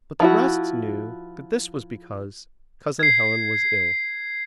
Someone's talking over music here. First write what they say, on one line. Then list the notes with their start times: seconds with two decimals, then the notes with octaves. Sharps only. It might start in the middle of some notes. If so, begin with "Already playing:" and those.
But the rest knew that this was because Cousin Helen was ill.
0.20 F3 E4 F#4
2.99 G#6 C7